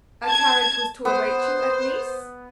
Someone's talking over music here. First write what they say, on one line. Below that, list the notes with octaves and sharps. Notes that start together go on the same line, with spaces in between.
"A carriage was to await you at Nice?"
A5 G#6
B3 C5